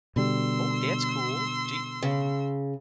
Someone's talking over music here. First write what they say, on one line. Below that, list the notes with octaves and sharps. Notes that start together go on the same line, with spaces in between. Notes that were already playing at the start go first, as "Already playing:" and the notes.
Oh, that's cool. Do y
B2 D3 G3 C6 E6
C#3